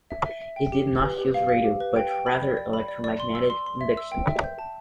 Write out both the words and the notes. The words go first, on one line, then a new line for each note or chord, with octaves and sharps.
It did not use radio, but rather electromagnetic induction.
E5
E5
E5
G5
G4
G4
B4
G4
F5
F5
G4
B4
G5
G5
B5
D5
D5
B5
D5
D5
C6
E6
C6
C6
E5
E6
G5
E5
G6
A5